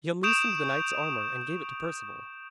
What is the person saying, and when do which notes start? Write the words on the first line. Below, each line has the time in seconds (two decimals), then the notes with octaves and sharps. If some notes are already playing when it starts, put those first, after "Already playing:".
He unloosed the knight's armour and gave it to Perceval.
0.23 C#6 D#6 G6 D7 E7 F7